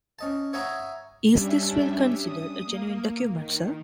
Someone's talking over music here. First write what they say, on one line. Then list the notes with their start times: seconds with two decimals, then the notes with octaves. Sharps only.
Is this will considered a genuine document, sir?
0.19 C#4 D#5 A5
0.53 C#5 E5 F#5 G#5 A#5 D#6
1.31 G3 C#4 D4 E5
2.20 D#6
2.65 A#3
3.30 D#3